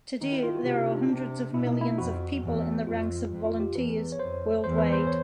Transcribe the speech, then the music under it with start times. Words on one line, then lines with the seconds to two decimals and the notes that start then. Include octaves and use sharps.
Today, there are hundreds of millions of people in the ranks of volunteers worldwide.
0.21 D#3 D#4
0.32 E4
0.43 F4
0.55 F#4
0.65 C3 G4
0.80 D#4
0.95 D4
1.09 C3 D4
1.54 B2 E4
1.67 D#4
1.81 E4
1.98 F2 F#4
2.43 E2
2.87 F2 F4
3.31 F2
3.45 F4
3.60 G4
3.75 E2 B4
4.12 C#5
4.19 F2 C5
4.64 E2 C5
4.78 B4
4.93 C5
5.07 C#5